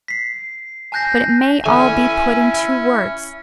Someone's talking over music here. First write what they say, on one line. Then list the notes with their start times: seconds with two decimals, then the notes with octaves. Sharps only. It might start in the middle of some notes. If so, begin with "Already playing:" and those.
But it may all be put in two words.
0.08 B6 C7
0.92 G#5 A5 F#6 G6 A#6 C7
1.66 D3 E3 C#4 E4 E5 G#5